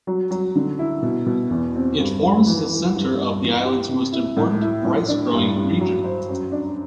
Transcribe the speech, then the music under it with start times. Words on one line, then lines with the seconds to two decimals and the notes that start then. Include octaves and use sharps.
It forms the center of the island's most important rice-growing region.
0.07 F#3
0.31 F#3
0.55 D3
0.79 E4
1.03 B2
1.26 B2
1.51 E2
1.75 C4
1.98 G2
2.22 G2
2.46 E3
2.70 E3
2.94 G2
3.18 G2
3.42 E3
3.65 G4
3.89 C3
4.13 E4
4.37 A2
4.61 E4
4.84 A2
5.08 D4
5.33 G2
5.56 G2
5.80 F#3
6.04 C5
6.29 F#2
6.52 D4